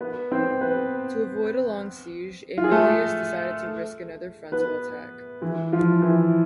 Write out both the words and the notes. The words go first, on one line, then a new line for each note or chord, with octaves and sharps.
To avoid a long siege, Aemilius decided to risk another frontal attack.
B3 B4
C4 C5
B3 B4
F4
G#4
A3 A4
B3 B4
E3 E4
F3 F4
E3 E4